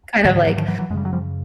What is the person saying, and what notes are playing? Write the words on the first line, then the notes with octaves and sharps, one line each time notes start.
Kind of like,
G#2 D3 E3
D3 E3
E3 F#3
D#3 F3
E3 F#3
E3 F#3
F#2 C#3 G3 G#3
F#3
F3 G3